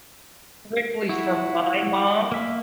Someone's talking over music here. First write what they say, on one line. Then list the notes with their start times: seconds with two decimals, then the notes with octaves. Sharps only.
strictly for my mom
1.09 E4 F#4
2.32 A#3 E5